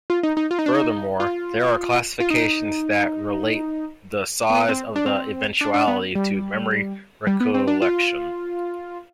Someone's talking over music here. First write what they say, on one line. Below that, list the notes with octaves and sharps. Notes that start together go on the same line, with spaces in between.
Furthermore, there are classifications that relate the size of the eventuality to memory recollection.
F4
D#4
D#4
F4
D#4
D4
D#4
F4
F4
D#4
B3
C4
D4
C4
D4
D4
B3
G3
G3
B3
C4
D4
F4